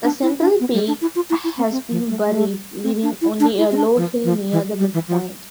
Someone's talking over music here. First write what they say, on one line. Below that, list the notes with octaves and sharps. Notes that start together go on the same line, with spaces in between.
The central peak has been buried, leaving only a low hill near the midpoint.
D4
E4
D4
B3
G3
D4
E4
F4
E4
E4
C4
C4
F3
A3
A3
C4
D4
E4
D4
E4
C4
D4
F3
F3
E3
G3
E3
F3